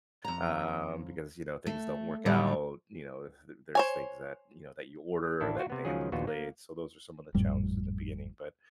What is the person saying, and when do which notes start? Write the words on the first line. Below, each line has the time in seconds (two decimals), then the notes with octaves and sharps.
Um, because, you know, things don't work out, you know, th there's things that, you know, that you order that may have been delayed, so, those are some of the challenges in the beginning, but
0.25 F2 A#5
1.67 A3
2.25 A2 D3 F#3 G3 A3
3.75 C5 C#5 G#5
5.41 A1 D4 E4 A4
5.57 F4 F#4
5.70 C3 B3
5.85 C#2 D#3 F3 F#3 C#4 G#4
6.12 A#1 D#2 B3 F4 F#4
6.27 A#3
7.35 G#1 F2 A2 G3